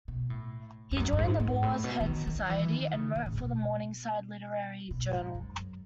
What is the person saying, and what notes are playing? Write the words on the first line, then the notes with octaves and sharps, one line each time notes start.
He joined the Boar's Head Society and wrote for the "Morningside" literary journal.
B2
A2
E2
F#2
F#2
G#2
G#2
A2
B2
E3
D#3
D#3
E3
D#3
C#3
C#3
A2
B2
B2
G#2
F#2
F#2